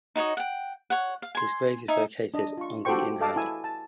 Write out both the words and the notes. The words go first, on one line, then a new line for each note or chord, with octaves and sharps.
His grave is located on the in Halle.
D#4 F#4 C#5 D#5
F#5 G5
C#5 F#5
F5
G#5 C6
D#4 E5 G#5
D4 D#5
F4 C#6
F#4 G4 A4 C5 G5 C#6
A4 D#5 F5 A5 D6
E4 G#5 E6
A5